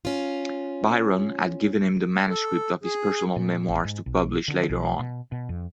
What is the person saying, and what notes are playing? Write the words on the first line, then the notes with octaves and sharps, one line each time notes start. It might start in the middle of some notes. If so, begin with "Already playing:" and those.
Byron had given him the manuscript of his personal memoirs to publish later on.
C#4 F4
A4
G#4
A#2
A1
G#2
B1
D3
B1
B2
B2
F2